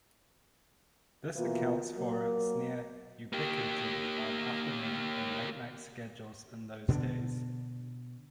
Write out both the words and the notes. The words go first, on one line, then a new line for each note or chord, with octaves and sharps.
This accounts for its near-ubiquity on afternoon and late-night schedules in those days.
B2 E3 A#3 F4
F#3 A#3
A#3 G4
B2 D3 B3 D4